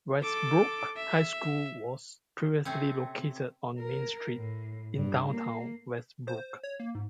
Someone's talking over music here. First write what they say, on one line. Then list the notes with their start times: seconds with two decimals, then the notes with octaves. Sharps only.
Westbrook High School was previously located on Main Street in downtown Westbrook.
0.20 A4 D6
0.96 E5
2.65 C3 A3 C4 C#4
3.79 A#4
4.35 A2
4.95 G2
5.29 A#3
6.28 C5
6.63 C#5
6.80 A#3
6.95 G#2